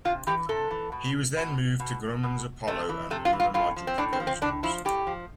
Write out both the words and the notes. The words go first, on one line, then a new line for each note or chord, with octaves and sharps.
He was then moved to Grumman's Apollo and Lunar Module proposals.
C3 F4
E3 G4
C3 A4
E3
B2
B2
B2
B2
C3 A3
E3
C3 A3
F4
E3
F4
A2 F4
F3
C4
A2 D4
C4
F3
C4
A2 D4
F3 E4
A2 G4
F3